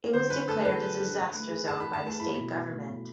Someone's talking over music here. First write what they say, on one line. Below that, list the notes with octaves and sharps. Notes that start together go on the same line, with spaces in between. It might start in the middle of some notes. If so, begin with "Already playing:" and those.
It was declared a disaster zone by the State Government.
D3 C5
D4 B4
A3 A4
G#4 B4
D4
D4
D4
A3
G#4
G#4 A5
G#4 B5
A5
A3
A5
E4 B5
B2
B2
A3
B2